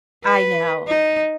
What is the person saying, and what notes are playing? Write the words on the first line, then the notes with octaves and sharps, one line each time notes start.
I know.
B4
D#4